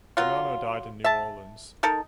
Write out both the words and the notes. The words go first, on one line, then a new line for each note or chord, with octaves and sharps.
Bonano died in New Orleans.
F#3 F4
E5 A5
D#4 A4 A#4